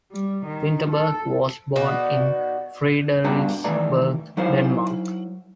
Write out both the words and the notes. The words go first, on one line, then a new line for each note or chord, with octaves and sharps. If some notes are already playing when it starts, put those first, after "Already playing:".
Vinterberg was born in Frederiksberg, Denmark.
G3
D#3
A4
B2 D#4 F#4 D5
G2 B2 D4 G5 A#5 B5
D#3 E3 A3 B4 D5 A#5
F#3 D#4 E4 A#4 C5 F5